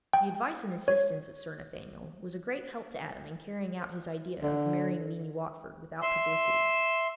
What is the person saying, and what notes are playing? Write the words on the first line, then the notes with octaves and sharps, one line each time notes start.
The advice and assistance of Sir Nathaniel was a great help to Adam in carrying out his idea of marrying Mimi Watford without publicity.
G5
C#5
D3
E5 C6